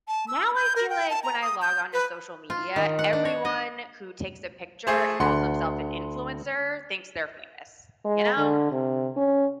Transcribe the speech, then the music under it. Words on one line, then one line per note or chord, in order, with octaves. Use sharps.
Now I feel like when I log on to social media, everyone who takes a picture and calls themself an influencer thinks they're famous. You know?
A5
E6
G6
A#4
G5
A5
A#5
D#6
G6
B4
F4
D#3
F#5
D4
C#5
D#5
A3 G#4 C5
D2 F#5 B5 C6
G#3
D3
C3
C#4